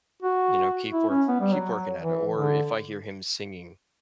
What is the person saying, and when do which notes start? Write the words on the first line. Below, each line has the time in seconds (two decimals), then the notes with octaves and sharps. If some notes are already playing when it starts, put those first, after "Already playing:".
You know, "Keep work keep working at it." Or if I hear him singing,
0.22 F#4
0.93 E4
1.10 C#4
1.28 B3
1.40 G3
1.52 F#3
1.99 E3
2.35 D3